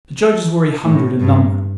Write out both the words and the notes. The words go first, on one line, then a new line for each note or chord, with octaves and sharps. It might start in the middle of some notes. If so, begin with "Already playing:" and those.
The judges were a hundred in number.
A2
G2